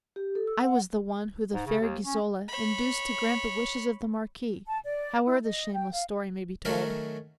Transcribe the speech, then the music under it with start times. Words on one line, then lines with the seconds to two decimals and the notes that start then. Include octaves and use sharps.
I was the one who the fair Ghisola Induced to grant the wishes of the Marquis, Howe'er the shameless story may be told.
0.16 G4
0.35 A4
0.47 E6
0.61 F#5
1.54 G#2
1.66 C#3
1.80 D#2
2.06 C#4
2.48 C#5 B5
4.67 A5
4.85 D5
5.26 E4
5.43 D#5
5.73 G5
5.92 F5
6.65 D#3 F#3 A3 C#4 F#4 A#4